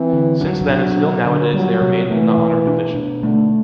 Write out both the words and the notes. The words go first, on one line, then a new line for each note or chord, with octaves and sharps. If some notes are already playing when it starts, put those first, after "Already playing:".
Since then and still nowadays they remained in the Honor Division.
Already playing: E3 C4
D3
F#3 D4
B2
D4
D3
F#3 G3
C3
E3 A3
B2
D4
B2
D3 A3